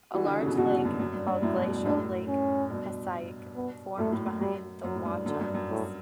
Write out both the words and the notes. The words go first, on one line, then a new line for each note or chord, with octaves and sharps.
A large lake, called Glacial Lake Passaic, formed behind the Watchungs.
E3 G3 F#4
D3 F#3
C#3
B2 D3
B2 D3 F#4
G2
F#2
F#2
G2
G2
F#2 A2 E4
G2 B2
G2
F#2 A2 D4
C#4
G2 B2
B3
F#2 A2 A3
F#2 A2
F#2 A2
F#2 G3
F#2 F#3
A2
G2
F#2 D3
G2
F#2
A2